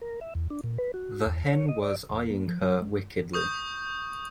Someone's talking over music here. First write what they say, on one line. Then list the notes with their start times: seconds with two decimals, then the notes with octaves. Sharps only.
The hen was eyeing her wickedly.
0.02 A#4
0.21 E5
0.35 E2
0.50 D4
0.64 A#2
0.78 B4
0.94 F#4
1.26 E2
1.46 C#5
1.68 D#5
1.82 D5
2.10 E1
2.30 A#3
2.48 F3
2.62 F#3
2.82 G#3
3.33 C#6 D#6 G6